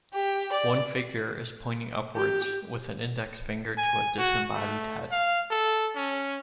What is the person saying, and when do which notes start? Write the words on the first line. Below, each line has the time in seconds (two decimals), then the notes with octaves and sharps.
One figure is pointing upwards with an index finger to a disembodied head.
0.14 G4
0.53 D5
2.16 G4
3.78 G#5
4.18 F#4
4.54 A3
5.11 F5
5.51 A4
5.95 C#4